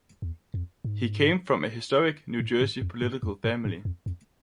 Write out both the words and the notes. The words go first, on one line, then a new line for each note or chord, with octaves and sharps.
He came from a historic New Jersey political family.
E2
F2
G#2
A2
G#2
F2
G#2
F2
G#2
G#2
F2
F2